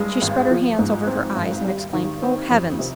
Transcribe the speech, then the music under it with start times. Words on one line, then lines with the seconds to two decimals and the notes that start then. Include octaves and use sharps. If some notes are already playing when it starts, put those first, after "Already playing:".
She spread her hands over her eyes, and exclaimed, "Oh, Heavens!"
Already playing: G2 G#3
0.22 G#1
0.51 F3
0.79 G#2
1.07 C4
1.36 G#1
1.64 G3
1.93 D#3
2.22 C4
2.51 F2
2.79 C3